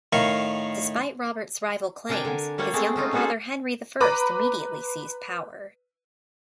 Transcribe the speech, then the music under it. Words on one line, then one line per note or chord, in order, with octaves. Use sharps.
Despite Robert's rival claims, his younger brother Henry the First immediately seized power.
A2 D#3 A#4 F5 C#6
C3 D4 A#4 G5 G#5
D3 G#5
G3 A#3 C#5 F#5
G#3 A3 C4
C4 C#4 D#4 F4
G#3 A#3 C#4 F#4 G#4 A4
B4 A#5 B5 D6